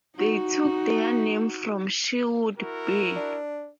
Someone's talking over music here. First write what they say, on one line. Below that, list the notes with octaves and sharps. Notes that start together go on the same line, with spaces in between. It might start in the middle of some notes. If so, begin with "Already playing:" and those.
They took their name from Sherwood B.
D#4 F#4
E4 F#4 A#4
D4